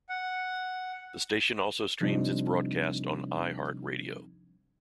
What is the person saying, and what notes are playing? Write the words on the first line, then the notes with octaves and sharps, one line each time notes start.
The station also streams its broadcast on iHeartRadio.
F#5
C3 F3 G3 C4 D4 D#4